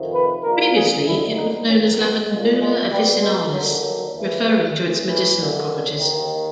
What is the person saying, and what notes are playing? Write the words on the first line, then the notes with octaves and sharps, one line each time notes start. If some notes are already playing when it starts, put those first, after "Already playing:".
Previously, it was known as "Lavandula officinalis", referring to its medicinal properties.
Already playing: F2 C3 D#3
B4
A#1 A#2 A#4
G#4
F2 D3 E4
D#4
F2 C3 D#3 C#4
B3
C2 A#2 G#3
G#3
C#2 B2 G3
G#3
D#2 D3 F#3
F#3
D#2 C#3 E3
G3
A1 A2 E3
E3
D#2 D3
D#2 D#3